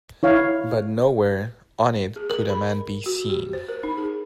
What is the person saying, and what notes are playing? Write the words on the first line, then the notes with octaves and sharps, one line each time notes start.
But nowhere on it could a man be seen.
E4 C#5 F5
G#4
A#4
B5
F#4
G4
C5
A#4
D#4
G#4